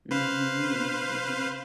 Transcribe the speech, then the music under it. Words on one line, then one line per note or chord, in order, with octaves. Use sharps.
Mhm, mhm.
B4 C5 F5